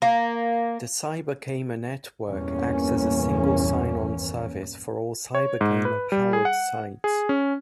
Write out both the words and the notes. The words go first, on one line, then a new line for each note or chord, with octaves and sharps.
The CyberGamer Network acts as a single-sign on service for all CyberGamer-powered sites.
A#3
A#1 E2 G2 A#3 C#4
C#5
G#2
B4
G3
G#4
F#5
G#4
C#4